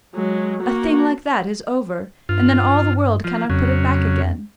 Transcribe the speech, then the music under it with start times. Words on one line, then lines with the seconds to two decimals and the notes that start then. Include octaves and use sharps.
A thing like that is over, and then all the world cannot put it back again.
0.15 F#3 G#3
0.62 A#3 F#4
2.29 G2 F4
3.24 F3
3.50 F2 C#3 F#3